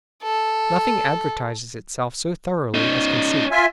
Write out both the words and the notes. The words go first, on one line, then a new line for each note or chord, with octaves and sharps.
Nothing advertises itself so thoroughly as conceit.
A4
C#4 D#4
F4 E5 G#5